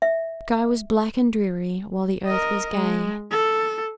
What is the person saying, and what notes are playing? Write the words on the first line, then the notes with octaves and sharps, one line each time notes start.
The sky was black and dreary, while the earth was gay.
E5
A#4 D#5
G#3
A4